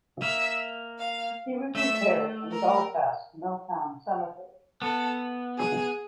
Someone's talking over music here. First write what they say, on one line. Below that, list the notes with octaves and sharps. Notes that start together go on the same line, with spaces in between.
He was interred in Belfast's Milltown Cemetery.
A#3 E5
F5
A3 E5
A#4
B3 A4
G#4